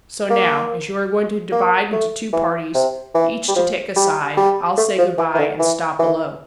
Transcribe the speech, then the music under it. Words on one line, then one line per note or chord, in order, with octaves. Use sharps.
"So now, as you are going to divide into two parties, each to take a side, I'll say good-bye and stop below."
A#3
A#3
A3
E3
C3
E3
G3
F3
G3
G3
A3
F3
E3
E3
D3
E3
E3